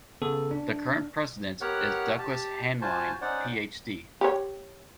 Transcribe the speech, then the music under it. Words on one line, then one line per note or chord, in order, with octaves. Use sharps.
The current president is Douglas Haneline, PhD.
C#3 B3 A4
D4
B3 G4 A#4 C#5 F#5 F#6
G4 A5
F4 F#4 C5 G#5 A5
C#4 D#4 C5 D5 F#5
G4 C#5